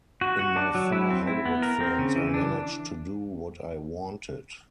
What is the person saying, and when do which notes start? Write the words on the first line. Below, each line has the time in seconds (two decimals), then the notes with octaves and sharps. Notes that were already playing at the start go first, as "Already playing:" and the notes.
In my four Hollywood films I managed to do what I wanted.
0.21 F#4
0.39 F#4
0.56 D4
0.75 F#3
0.92 E4
1.10 C4
1.27 E4
1.45 B3
1.62 A#4
1.80 C4
1.99 C#3
2.16 E3
2.34 D4